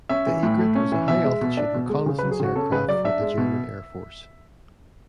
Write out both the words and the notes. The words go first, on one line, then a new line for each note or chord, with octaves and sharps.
The Egrett was a high altitude reconnaissance aircraft for the German Air Force.
C#4 E5
E3
A2
A3
C#4
E3
B2 E5
G#3
B2
D4
B2
G#3
C#3
B4
F#3
G#4
C#3 F#4
C#4 A4
C#3 B4
F#3 D5
D4 E5
G#3
B2